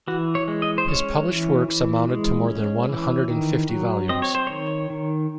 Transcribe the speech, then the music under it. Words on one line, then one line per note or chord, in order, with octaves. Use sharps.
His published works amounted to more than one hundred and fifty volumes.
E3 F#4
C#5
G#3
D#5
C5
C#4 C#5
E3
E3
G#3
C#4
E3
D#3
F#3
C4 D#5
C#5
C5
D#3 C#5
D#3